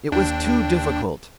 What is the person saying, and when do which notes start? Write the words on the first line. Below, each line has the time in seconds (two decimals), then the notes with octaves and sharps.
It was too difficult!
0.12 D#2 D4 G5